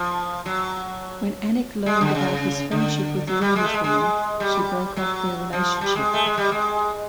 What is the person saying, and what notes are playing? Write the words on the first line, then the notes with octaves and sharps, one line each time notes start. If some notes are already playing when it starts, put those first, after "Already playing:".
When Annick learned about his friendship with the Englishwoman, she broke off their relationship.
Already playing: F3
F#3
G#3
D3
C#3
D3
F#3
G3
G#3
A3
G#3
G#3
G3
F#3
F3
G3
G#3
A3
G#3
G3
G#3